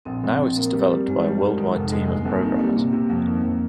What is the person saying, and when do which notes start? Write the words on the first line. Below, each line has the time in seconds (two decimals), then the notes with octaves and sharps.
Now it is developed by a worldwide team of programmers.
0.05 A#1 C4
0.24 A#1
0.39 A#1
0.56 A#3
0.74 G3
0.90 G3
1.07 G#1 G#3
1.24 G3
1.41 G#1
1.58 D#3
1.75 F1
1.92 G#3
2.09 G1 A#3
2.22 C4
2.25 G1
2.33 A#3
2.43 D#3
2.59 G3 A#3
2.76 C3
2.93 C3
3.10 F2
3.27 D#3
3.43 F2